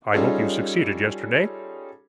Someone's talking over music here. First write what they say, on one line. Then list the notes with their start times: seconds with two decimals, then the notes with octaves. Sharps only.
I hope you succeeded yesterday.
0.13 G3 C#4 D#4 F4 G#4 A4